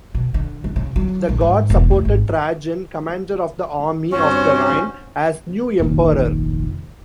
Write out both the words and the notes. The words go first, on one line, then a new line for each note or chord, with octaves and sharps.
The Guard supported Trajan, commander of the Army of the Rhine, as new emperor.
B2
D3
D3
C#3
F#3
A#1
G#2
E1
A3
G#1
G2 C4 C#4 F#4 C5 C#5
F1 A#1 A#2 D#3